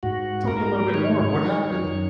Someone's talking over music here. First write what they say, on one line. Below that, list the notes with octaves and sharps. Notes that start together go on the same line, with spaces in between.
tell me a little bit more of what happened.
G#2 F#4
G#2 A#4
B4
D#3 C#5
D#3
F#2